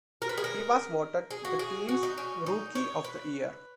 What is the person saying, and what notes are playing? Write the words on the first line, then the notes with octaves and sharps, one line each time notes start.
He was voted the team's Rookie of the Year.
A#4
B4
G#4
A#4
G#4
F#4
G#4
F#4
D#4
C#4
D#4
C#5
B4